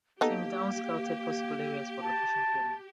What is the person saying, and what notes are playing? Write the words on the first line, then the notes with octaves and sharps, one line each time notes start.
Tim Downs scouted possible areas for location filming.
A#3 B3 D#4 G4 A4
A5